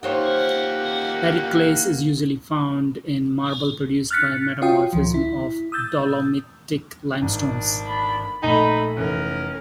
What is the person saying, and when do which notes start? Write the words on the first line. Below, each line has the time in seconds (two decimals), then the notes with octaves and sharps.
Periclase is usually found in marble produced by metamorphism of dolomitic limestones.
0.03 A#3 D#4 G4 C5 C#5 F#5
4.11 F6 F#6 A6 B6 C#7
4.62 F4 F#4 C#5 F5 G5 D#6
4.93 D2 D#3 F3
5.14 E4
5.72 D#6 E6 G6 A6
7.22 G#1 D4
7.85 B5
8.43 A#1 A3 D#4 G#5 B5
8.97 F1 E3 C#4 A#4 F#6